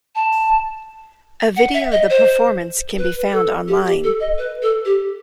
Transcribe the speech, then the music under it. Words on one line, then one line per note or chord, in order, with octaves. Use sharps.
A video of the performance can be found online.
A5
F#5
E5
D#5
C5
B4
A4
G4
G4
A4
D#5
B4
A4
G4